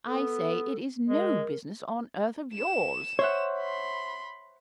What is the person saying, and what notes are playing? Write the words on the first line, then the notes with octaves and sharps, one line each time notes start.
I say it is no business on earth of yours.'
B3 A4
G#3 A#4
E7
C5 C#5 E5 F#5
B5 C6